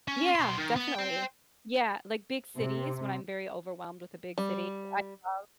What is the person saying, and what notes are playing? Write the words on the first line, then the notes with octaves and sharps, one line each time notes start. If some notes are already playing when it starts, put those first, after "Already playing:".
Yeah. Definitely. Yeah. Like, big cities when I'm very overwhelmed with a big city. I love
C#4
B2 C6
D#3
B3
C5 G5
C3
G3